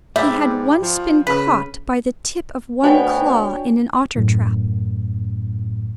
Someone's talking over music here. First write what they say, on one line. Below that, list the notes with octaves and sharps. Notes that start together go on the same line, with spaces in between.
He had once been caught by the tip of one claw in an otter-trap.
G#2 G3 E5
F3
C#3 B4
D2 B2 D4 F#4 C#5 D5 G5 G#5
F#2 A2